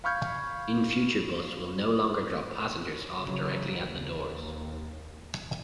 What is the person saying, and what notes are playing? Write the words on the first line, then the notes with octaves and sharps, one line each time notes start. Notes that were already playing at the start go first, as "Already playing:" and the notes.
In future bus will no longer drop passengers off directly at the doors.
F5 B5 C#6 F6 G6 G#6
C#3 E3 F#3
D#2